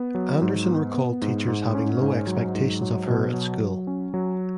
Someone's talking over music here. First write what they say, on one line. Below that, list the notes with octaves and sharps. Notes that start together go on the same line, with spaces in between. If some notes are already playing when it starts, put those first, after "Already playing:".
Anderson recalled teachers having low expectations of her at school.
Already playing: B3
F#3
G#2
B3
B3
G#2
G#2
C#4
G#2
F#3
G#2
F#3
B2
F#3
F#3
C#4
F#3